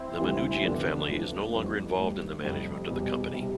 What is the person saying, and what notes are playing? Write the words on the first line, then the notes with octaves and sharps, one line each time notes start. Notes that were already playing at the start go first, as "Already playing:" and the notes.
The Manoogian family is no longer involved in the management of the company.
Already playing: C4 E4
D2 C3 E3 G3
F2 D3 F3 B3 D4
D2 D3 F3
F2 E3 G3
A2 G3
F2 C3 G3
E2 B2 G3
C3 G3